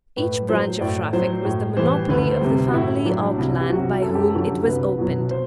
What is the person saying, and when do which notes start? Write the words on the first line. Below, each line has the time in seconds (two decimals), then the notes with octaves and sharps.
Each branch of traffic was the monopoly of the family or clan by whom it was opened.
0.16 A2 B4
0.49 F#3 C5
0.81 A2 D5
1.13 F#3 C5
1.45 A2
1.77 E3 G3 C5
2.09 D2 B4
2.31 C5
2.41 C3 G3
2.68 F#4
2.74 A2 E4
3.05 F#3 D4
3.38 C2 E4
3.60 G4
3.69 C3 F#3 F#4
4.02 F#2 A4
4.15 G4
4.28 A4
4.35 D3 F#3
4.66 C2 B4
4.98 B2 F#3
5.31 C5